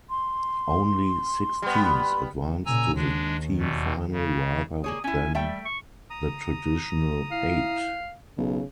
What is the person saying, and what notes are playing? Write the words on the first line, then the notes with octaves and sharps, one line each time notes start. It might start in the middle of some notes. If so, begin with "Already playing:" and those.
Only six teams advanced to the team final rather than the traditional eight.
C6
G3 B3
A#2 C#3 G#5 A#5 E6
D#2 G#3 D4
E2 B2
C#3
A#3 G#4 C#5 D#6
C#4 E4 G#5
G3 A3 E5 G5
C#6
A#5 D#6
E4 F5
B1 C#3